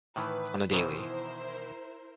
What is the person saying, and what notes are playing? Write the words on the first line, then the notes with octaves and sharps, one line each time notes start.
on a daily?
A2 D#3 E3 B4
B2 D#3 E3 E4 A#4 C5